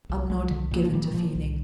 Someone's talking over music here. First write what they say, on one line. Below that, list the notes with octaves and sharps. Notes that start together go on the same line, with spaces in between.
I'm not given to feelings.
C2
C2 G#3
C2 D3
A#2
F3
A#2 G3
D#3
A#2 F3
C2